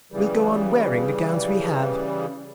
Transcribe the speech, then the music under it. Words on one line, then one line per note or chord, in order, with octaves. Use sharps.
We'll go on wearing the gowns we have.
C#3 E3 G3